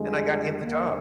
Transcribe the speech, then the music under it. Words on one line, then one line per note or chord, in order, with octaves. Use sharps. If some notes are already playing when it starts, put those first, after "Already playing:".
and I got him the job.
Already playing: F2 D3 G3 G#3
D#2 D3 G3 A#3